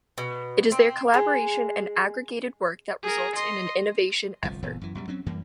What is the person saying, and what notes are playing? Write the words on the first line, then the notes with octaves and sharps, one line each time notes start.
It is their collaboration and aggregated work that results in an innovation effort.
B2
C4
G#3
G#4 A#4
D#5 C6
G1 C2 B2 F3
F#1 A#2 E3 B3
F#2 E3
F#2 B2 G3
F#3 C4 C#4
F#2 E3 G3 A#3